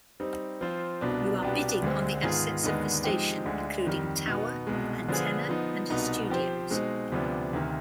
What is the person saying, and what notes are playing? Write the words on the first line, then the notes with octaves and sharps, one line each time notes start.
You are bidding on the assets of the station, including tower, antenna, and studios.
G3 C4 D#4
F3 C4 F4 C5
C2 B2 B3 D4
C2 B2 B3 D4 G4
D2 D3 G#3 C4
G#2 D#3 B3 F4 G#4
D#2 D3 G#3 B3 D#4
F3 G#3 C4 D#4 G4
D2 D3 G#3
F2 D#3 G3
B2 B3 D#4
C2 B2 G#3
D3 F3 B3 F4 G#4
F3 B3 D#4
C2 B2 B3 D#4
F3 C4 G4 C5
B2 G#3 C4 D#4
D2 C3 F3 B3 D4
D2 C3 D#3